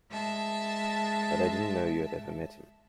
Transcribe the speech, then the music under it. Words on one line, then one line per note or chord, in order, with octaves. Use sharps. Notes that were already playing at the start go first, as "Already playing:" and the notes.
But I didn't know you had ever met him.
G#3 E5 A5